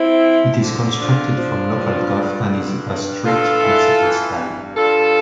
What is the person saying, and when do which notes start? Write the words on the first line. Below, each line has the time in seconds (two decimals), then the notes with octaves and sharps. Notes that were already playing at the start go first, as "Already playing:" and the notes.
It is constructed from local tuff and is a stripped classical style.
Already playing: C4 E4
0.25 F3
0.62 D3
1.00 F3 D4 F4
1.38 F3
1.75 G2
2.13 D3
2.51 G2
2.88 G2
3.26 G2 F4 A4
3.63 E3
4.01 E3
4.39 G2
4.76 G2 F4 A4